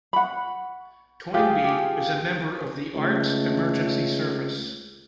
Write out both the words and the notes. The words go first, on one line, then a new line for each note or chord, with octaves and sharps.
Toynbee is a member of the Arts Emergency Service.
F#5 B5 C#6
F4 G4 G#4
G4
C#2 A3